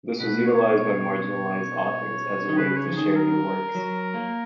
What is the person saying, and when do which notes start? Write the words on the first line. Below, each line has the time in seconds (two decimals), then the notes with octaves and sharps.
This was utilized by marginalized authors as a way to share their works.
0.20 B2 B4
0.46 C#5
0.73 C#5
2.48 D#3
2.56 C#3 B4
2.76 C#5
2.88 F3
2.96 D#3 G#4
3.16 A#4
3.75 F#3
4.14 A#3